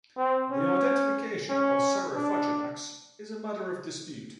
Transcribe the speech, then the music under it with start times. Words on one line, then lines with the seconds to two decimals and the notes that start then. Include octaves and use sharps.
The identification of "Saurophaganax" is a matter of dispute.
0.17 C4
0.51 C#4
1.50 C#4
2.16 D4